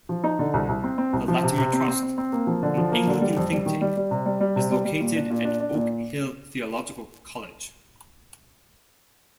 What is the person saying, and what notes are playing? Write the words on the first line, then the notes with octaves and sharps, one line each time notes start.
The Latimer Trust, an Anglican think tank, is located at Oak Hill Theological College.
F3
D#4
D3
C2
C2
C4
C4
C2
F3
C3
C3
C4
C4
C4
C4
A#3
F3
D3
F3
A#3
D3
G3
F2
G3
D#3
G3
G3
C3
G3
G3
C3
G3
G3
A#2
D4
A#2
D4
D4
A#2